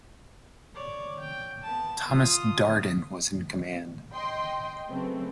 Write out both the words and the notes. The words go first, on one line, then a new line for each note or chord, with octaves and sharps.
Thomas Darden was in command.
C#5 D5
G5
B3 A5
F4 D#6
D#5 G5 C6
C#3 F#3 A3 B3 C4